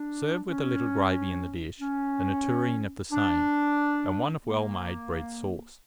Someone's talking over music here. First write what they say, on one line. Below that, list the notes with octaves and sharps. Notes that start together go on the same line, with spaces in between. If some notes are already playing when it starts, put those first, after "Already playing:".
Serve with a little gravy in the dish, and a tureen of the same, and one of well-made bread-sauce.
Already playing: D4
C#4
C#4
D4
A#3